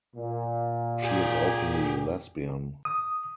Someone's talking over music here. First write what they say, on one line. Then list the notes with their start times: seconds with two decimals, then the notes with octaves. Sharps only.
She is openly lesbian.
0.16 A#2
1.03 G4 G#4
2.85 D#6